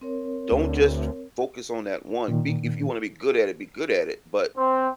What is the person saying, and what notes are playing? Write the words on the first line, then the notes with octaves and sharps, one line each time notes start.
Don't just focus on that one. Be if you wanna be good at it, be good at it, but
C4 A#4 C#5
D2
A#2 D#3
C4